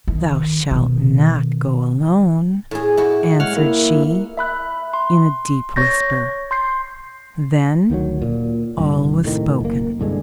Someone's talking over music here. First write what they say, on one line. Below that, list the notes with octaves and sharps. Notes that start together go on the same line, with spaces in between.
"Thou shall not go alone!" answered she, in a deep whisper. Then, all was spoken!
D#3
B2 D#3
A2 G#4
E4 F#4 G4
G#3 C#5 F#5 F6
A#3 E4
E5 B5 F#6
C6
C#5 C#6 G6 A6 A#6
C6 G6 C7
D2 D#3 F3 F#3
A#2
C2 G2
A2 C3 D#3
F#1 A#3
C2 G2 D3 G#3